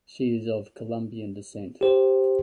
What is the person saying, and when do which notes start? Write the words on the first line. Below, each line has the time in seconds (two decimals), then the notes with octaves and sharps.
She is of Colombian descent.
1.81 G4 C5